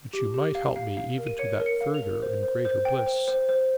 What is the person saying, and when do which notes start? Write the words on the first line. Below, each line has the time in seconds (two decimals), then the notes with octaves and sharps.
But you might help me even to that further and greater bliss.
0.13 G4
0.34 G4
0.55 F5
0.76 F5
0.97 F5
1.18 A#4
1.27 D#7
1.39 C#5 C#7
1.60 A#4
1.66 C#7
1.81 F5
1.94 F7
2.02 A#4
2.22 C5
2.43 C5
2.65 C5
2.85 G5
3.06 C5
3.28 C5
3.49 C5